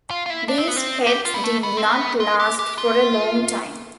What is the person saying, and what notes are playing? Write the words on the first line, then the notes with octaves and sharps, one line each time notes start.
These pets did not last for a long time.
F4
F4
E4
D4
C4
B3
C4
G4
F4
B3
A3
B3
C4
B3
F4
G4
G4
F4